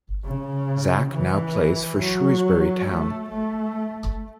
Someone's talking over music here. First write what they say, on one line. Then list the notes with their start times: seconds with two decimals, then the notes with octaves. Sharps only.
Zak now plays for Shrewsbury Town.
0.25 C#3
1.12 E3
1.99 F#3
2.86 A3
3.30 A3